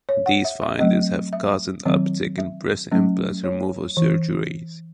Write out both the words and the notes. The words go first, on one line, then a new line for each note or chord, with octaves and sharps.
These findings have caused an uptick in breast implant removal surgeries.
C#5
F#5
E5
E5
F#3 A3 C4 D#5
E5
D#3 F#3 C4
E5
F#3 A3 C#4
C#5
E3